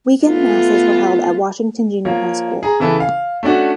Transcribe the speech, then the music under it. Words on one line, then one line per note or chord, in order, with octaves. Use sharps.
Weekend masses were held at Washington Junior High School.
A3 B3 F4
F3 A#3 C#5
G#4 A#5
C#3 E3 E4 A4 B4
F5
A3 C#4 D4 F#4